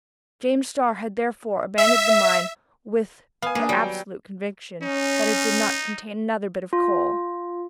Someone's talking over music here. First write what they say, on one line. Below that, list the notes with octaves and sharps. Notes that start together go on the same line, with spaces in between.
James Starr had therefore abandoned the mine with the absolute conviction that it did not contain another bit of coal.
E5
B3 F5 G#5
A#3 D4 G#4
F#3 G3 G5
C#4 D#4
F4